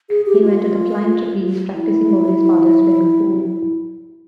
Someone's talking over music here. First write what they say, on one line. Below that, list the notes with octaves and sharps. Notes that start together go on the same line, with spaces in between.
He invented the flying trapeze, practising over his father's swimming pool.
G#4
G4
F4
E4